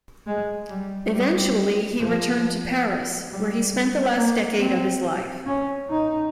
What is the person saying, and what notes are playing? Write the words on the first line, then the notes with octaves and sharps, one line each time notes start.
Eventually he returned to Paris, where he spent the last decade of his life.
G#3
G3
G3
F3
G3
A#3
C4
C#4
D#4